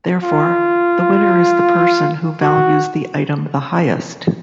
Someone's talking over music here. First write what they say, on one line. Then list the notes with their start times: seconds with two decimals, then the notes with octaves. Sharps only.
Therefore, the winner is the person who values the item the highest.
0.23 F4
2.42 F#4